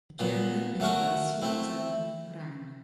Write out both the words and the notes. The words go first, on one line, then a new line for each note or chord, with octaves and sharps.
The chairman is Vasil Zadnyaprany.
A#2 F#3 B3
F#3 A3 C#4 F#4 A#4
A3 C4 E4